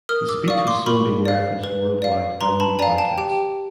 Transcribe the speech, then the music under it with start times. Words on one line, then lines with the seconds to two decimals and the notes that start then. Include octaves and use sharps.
The speech was soon being referenced worldwide by news outlets.
0.09 A#4 D#6 F6
0.29 D6 E6
0.48 D5 F5 C#6 D#6
0.67 C6 D6
0.86 A#4 B5 C#6
1.25 D5 F5
1.64 B4
2.02 D5 F5
2.41 B4 A#5 C6
2.60 A5 B5
2.79 D5 F5 G#5 A#5
2.98 G5 A5
3.18 G4 G5